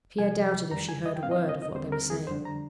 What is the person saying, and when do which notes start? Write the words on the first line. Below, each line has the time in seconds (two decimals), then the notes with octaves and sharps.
Pierre doubted if she heard a word of what they were saying.
0.18 C2 C3 F3 G#5
0.71 F2 D#3 G3 A#5
0.89 G#5
1.06 D#5
1.16 G5
1.23 A#2 G3 C4 F5
1.31 D#5
1.36 F5
1.49 D#5
1.62 D#5
1.75 D#2 D3 G3 C4 C5
1.92 A#4
2.10 G#4
2.27 F2 D3 G3 D4 C5
2.45 A#5